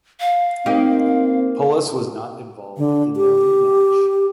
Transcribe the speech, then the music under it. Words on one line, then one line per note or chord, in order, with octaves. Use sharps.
Polis was not involved in their rematch.
F5
A#3 C4 D#4 G4
D3
G4